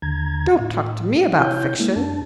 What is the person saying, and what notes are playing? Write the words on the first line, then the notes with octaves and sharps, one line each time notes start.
Don't talk to me about fiction!
D#2 D3 A#5 G#6
A2
C3 E4 C#5 G6
G#3 A#3 E4
F#2 D4 A5